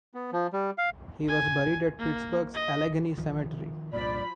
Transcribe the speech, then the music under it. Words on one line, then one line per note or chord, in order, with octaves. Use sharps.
He was buried at Pittsburgh's Allegheny Cemetery.
B3
F3
G3
F5
G#5
A#3
D#5
D#3 F3
C2 G2 A#2 F3 D5 B5